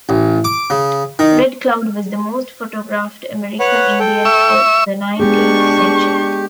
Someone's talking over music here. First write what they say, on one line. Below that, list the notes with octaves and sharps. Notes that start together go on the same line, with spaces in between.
Red Cloud was the most photographed American Indian of the nineteenth century.
A1
D6
C#3
D#3
B4 C#5 F#5
A4 G5
E5 C#6 E6
G#3 B3 D4 G4 G#4 C#6